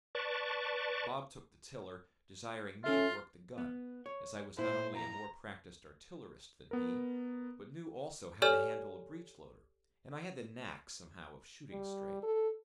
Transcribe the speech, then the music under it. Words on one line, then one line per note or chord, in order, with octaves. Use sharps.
Bob took the tiller, desiring me to work the gun, as I was not only a more practised artillerist than he, but knew also how to handle a breech-loader, and I had the knack somehow of shooting straight.
B4 D5 A5 C#6
C#4 F4 A4 E5
B3
C#5
A#2 E4 C5
A#5
B3 A#4
G4 A4 C#5 D5 G#5 F6
G3
A4